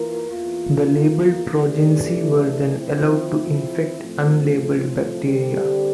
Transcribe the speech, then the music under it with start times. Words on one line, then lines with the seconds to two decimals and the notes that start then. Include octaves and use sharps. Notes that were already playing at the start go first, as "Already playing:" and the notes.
The labeled progeny were then allowed to infect unlabeled bacteria.
Already playing: E3 A#3 F4 A#4
0.29 E2 E3 A#3 F4
1.52 C3 E3 A3 D4
2.76 F3 C4 E4
3.99 A2 F3 C4
5.22 D3 G3 C4 G4